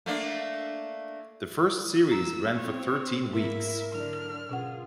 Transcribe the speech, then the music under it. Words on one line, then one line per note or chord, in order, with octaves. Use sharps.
The first series ran for thirteen weeks.
A3 A#3 D4
A#3 A#5 E6
C4 C#5
G#2 A#3 E4 A#4 E5
D3 F#3 D4 F6
B2 C#4 F4 G#4 F#5